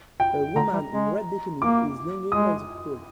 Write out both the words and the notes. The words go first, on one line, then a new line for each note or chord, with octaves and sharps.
A woman in a red bikini is lounging by the pool.
G5
D3 A#5
G3
G#3
A#3 D6
G#3 D#6